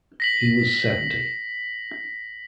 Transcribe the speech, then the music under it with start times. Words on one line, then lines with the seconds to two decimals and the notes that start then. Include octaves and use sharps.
He was seventy.
0.20 A#6 B6 F#7